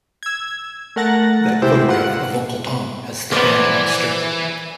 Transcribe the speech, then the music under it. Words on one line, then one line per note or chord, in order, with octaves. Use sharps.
That photograph of Uncle Tom as the bandmaster.
E6 G#6
A3 A#4 F#5 A6 A#6
C3 G#3 E4 G4 C5 E6
F4 F#5
A#1 E3 B3 A#4 C5 D5